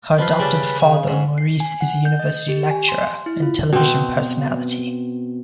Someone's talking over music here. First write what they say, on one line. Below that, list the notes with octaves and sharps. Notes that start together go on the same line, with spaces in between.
Her adoptive father, Maurice, is a university lecturer and television personality.
F3 F4 B4
C#3 G3 D4
C#3 G#5
G#2 C#4
C7
G#5
F#5
G6
D#5
G4
G#5
C6
E4
F4
B2 C4